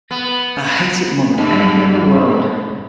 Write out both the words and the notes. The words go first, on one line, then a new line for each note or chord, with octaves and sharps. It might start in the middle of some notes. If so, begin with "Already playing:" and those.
I hate it more than anything in the world.
B3
G2